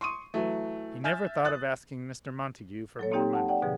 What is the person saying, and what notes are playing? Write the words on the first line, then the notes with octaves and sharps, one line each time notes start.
He never thought of asking Mr. Montague for more money.
C6 C#6 D#6 D#7
E3 F#3 A3
E5 G#5 F6 G6 A6 E7
D#6 F#6 A6
F#3 A4 C#5
A#3 C4 D#4 G4 G5
F#5 A5
D5 F#5 G5
G#2 B2 D3 F3 G#4